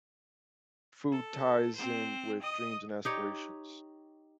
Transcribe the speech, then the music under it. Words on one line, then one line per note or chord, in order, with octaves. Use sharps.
food ties in with dreams and aspirations
A4
C4 C5
D#5 D#6
D#4 G4 C#5